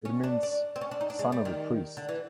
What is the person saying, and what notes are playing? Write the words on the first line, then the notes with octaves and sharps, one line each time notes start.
It means "son of a priest".
C#4
D4
D4
C4
C#4
D4
D#4
D4
G#3
G3
D#3
D3
E3